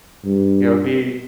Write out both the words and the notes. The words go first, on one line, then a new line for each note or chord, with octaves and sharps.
Yeah, it'd be
G2